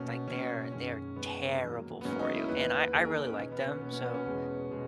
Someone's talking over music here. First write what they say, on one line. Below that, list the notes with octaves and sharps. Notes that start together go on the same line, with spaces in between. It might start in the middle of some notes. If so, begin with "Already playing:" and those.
Like, they're they're terrible for you, and I I really like them, so,
Already playing: B2 A#3 C#4
B2 A#3 C#4
F#2 D#3 G#3 C#4
F#2 D#3 G#3 B3
G#2 D#3 F#3 A#3
B3
G#2 D#3 F#3 A#3 C#4
D#4
E4
E2 D#3 A#3 B4
E2 D#3 A#3 G#4
A#4
C#4
C#4
B2 A#3 D#4
B3
C#4
B2 A#3 B3
C#4
B3
C#4
E2 B2 G#3
B2 G#3